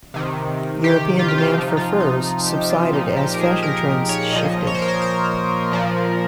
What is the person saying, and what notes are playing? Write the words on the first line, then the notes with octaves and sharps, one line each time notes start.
European demand for furs subsided as fashion trends shifted.
C3 D#3
G4
F4
G4
F4
C3 F3 D#4
F4
D#4
G4
F4
A#2 F3 D#4
G4
A#4
G#4
A#4
C#5
A#2 F3 D#5
C#5
C5
A#4
C5
A#4
A#2 F3